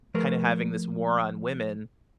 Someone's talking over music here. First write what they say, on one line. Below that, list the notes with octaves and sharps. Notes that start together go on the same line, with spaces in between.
kinda having this war on women,
F3 A3 G#4 A#4 B4